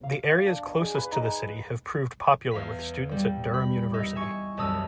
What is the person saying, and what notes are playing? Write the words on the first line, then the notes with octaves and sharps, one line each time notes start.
The areas closest to the city have proved popular with students at Durham University.
F5
D4
D#5
G#4
B4
D#4
E2 F5 B6
G3
B5
D#4 E5
E5 G#5 C#6
E1 C2 F#2 A5 D#6 E6